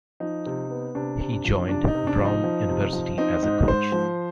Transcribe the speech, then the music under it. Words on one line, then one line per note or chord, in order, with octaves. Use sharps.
He joined Brown University as a coach.
F3 D#4
C3
B3
C3 D4
C3
D4
F3
C3 D4
D#4
C3
D4
F3
D#4
F3
C3
F3
C4 D#4
G#2 D#4
G#2 C5
F3